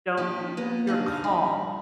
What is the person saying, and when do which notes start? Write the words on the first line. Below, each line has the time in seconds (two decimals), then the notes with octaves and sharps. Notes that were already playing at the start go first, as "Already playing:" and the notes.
don't y y you're calm.
0.17 F3 D#4 G4
0.57 A#3 B3 B4
0.87 C#3 D4 D#4 F5
1.24 G3 D#5